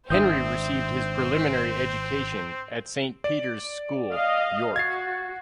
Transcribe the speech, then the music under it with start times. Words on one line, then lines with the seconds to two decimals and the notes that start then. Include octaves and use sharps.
Henry received his preliminary education at Saint Peter's School, York.
0.10 G#1 C4 D4 C5 E5 D#6 G6
3.24 D5
4.13 D#5 F5
4.76 F#4 G#6 A6 C7